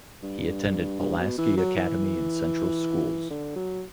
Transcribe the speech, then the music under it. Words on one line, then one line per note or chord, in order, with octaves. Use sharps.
He attended Pulaski Academy and Central Schools.
G2
G2
B2
E3
F#3
E3
D3
F#3